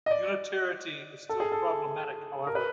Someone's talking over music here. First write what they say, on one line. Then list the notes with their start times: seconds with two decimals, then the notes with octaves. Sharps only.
Unitarity is still problematic, however.
0.06 D#5
0.11 D5
1.29 A4
1.40 G#4
1.52 A4
2.47 A#4
2.55 B4